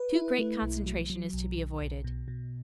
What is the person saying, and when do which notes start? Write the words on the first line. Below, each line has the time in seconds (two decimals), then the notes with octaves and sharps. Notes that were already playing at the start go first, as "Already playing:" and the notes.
Too great concentration is to be avoided.
Already playing: B4
0.15 E4
0.38 A3
0.62 B1
0.86 F#3
1.10 F#3
1.33 B1
1.57 B1
1.81 B1
2.04 B2
2.28 B2